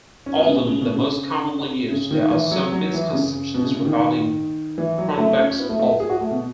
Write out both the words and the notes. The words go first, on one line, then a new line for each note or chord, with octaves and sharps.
Although the most commonly used, there are some misconceptions regarding Cronbach's alpha.
C#4
B3
C#3
B2
C#3
B2
C#3
C#3
D#3
E3
F#3
F#3
E3
C#3
B2
C#3
C#3
D#3
E3
F#3
A3
C#4
C#4
B3
A3
A3
G#4
F#4
A3
B2